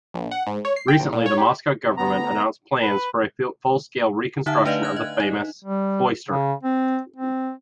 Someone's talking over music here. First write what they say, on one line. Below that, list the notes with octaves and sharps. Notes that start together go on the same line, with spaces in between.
Recently the Moscow government announced plans for a full-scale reconstruction of the famous cloister.
A#1
F#5
G#2
C#5
C7
G5
A#1
A#2
C#5
G4
C3
D2 B3 A#5
B4
D3 D#4 E5 F#5 A5 F6
A3 D4 B4 D5 D#5 F5
F#6 G#6
D#5
D#4
G3
C#3
C4
C4